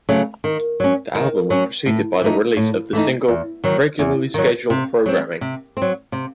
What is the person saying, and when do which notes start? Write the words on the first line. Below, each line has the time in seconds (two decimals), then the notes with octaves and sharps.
The album was preceded by the release of the single "Regularly Scheduled Programming".
0.09 C#3 F#3 A3
0.44 D#3
0.80 F#3 C#4
1.15 D#3
1.50 F#3 C#4
1.86 A2
2.21 E3 A3 D#4
2.57 A2
2.93 E3 A3 D#4
3.28 E2
3.64 D#3 F#3
3.99 E2
4.34 D#3 F#3
4.70 C3
5.06 F#3 C4
5.41 C3
5.77 C4
5.82 F#3
6.12 C3